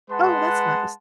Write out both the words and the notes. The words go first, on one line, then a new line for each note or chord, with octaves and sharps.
Oh, that's nice.
G#3 B4 F#5 A5 C6